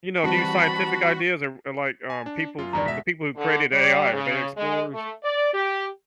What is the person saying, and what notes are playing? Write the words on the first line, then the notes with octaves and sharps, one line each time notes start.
you know, new scientific ideas or or, like, um, people, the people who created AI, are they explorers?
E3 G3 C4 F#4 A5 B5
G#5
D4
F#2 F4
E2 G2 D#3 D5 A#5
B2 G#3 E5 A#6 B6
D3
G3
C#3
G#3
A3
D5
G4